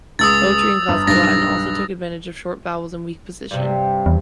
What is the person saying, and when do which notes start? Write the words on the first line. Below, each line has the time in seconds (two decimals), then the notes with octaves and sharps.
Poetry in Classical Latin also took advantage of short vowels in weak position.
0.19 C#2 G#3 D#6 E6 A6
0.88 G1
1.07 B1 G2 D#6 A6 A#6
3.51 G2 C3
4.06 E2